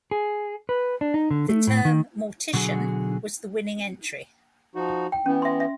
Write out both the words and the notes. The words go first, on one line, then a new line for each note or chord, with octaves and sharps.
The term "Mortician" was the winning entry.
G#4
B4
D4
D#4
D3
A3
A2
D#3
B2 D3 F#3 F#4 G#4
F3 D#4 F#4
G5
E3 B3 C#4
E5 C6
E5